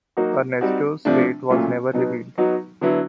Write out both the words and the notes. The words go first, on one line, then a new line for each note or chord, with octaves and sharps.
Ernesto's fate was never revealed.
F#3 A#3 D#4 F#4
G3 C4 D#4 F#4
C3 F3 A3 D4
A#2 F#3 A3 C#4 F4
B2 F#3 B3 D#4
F#3 B3 D#4 F#4
D3 F#3 B3 E4